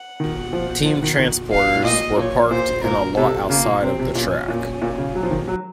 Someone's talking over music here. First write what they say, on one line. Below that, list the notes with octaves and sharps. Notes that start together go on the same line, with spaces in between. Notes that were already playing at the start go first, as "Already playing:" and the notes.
Team transporters were parked in a lot outside of the track.
Already playing: F#5
D#3
F3
F3
D#3
D#3
F5
A2
A#2 D#5
A#2 C#5
A#2 C5
A#2 A#4
C3 A4
C#3 A#3
A#2
C3 C4
C3
A#2 C#4
A#2
A#2
C#3
F#3
F3
D#3
F#3